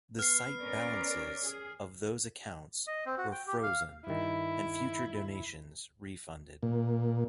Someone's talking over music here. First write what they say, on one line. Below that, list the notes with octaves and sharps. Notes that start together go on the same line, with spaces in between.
The site balances of those accounts were frozen and future donations refunded.
B3 F6 C7
C#4 A#4 D5
G#4
D#5
C4
F#4
G5
G4
F5
G2 D#3 E4
A#2